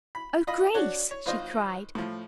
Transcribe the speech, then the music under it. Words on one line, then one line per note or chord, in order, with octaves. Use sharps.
"Oh, Grace," she cried.
B5
F4 D#5 B5
D4 F#4 C#5
C#5
G#1 F4 C5 D#5
A2 F3